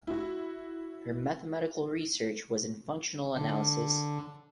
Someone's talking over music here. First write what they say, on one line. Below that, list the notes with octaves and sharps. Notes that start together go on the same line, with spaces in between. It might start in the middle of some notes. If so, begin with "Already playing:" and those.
Her mathematical research was in functional analysis.
E4 F#4
D3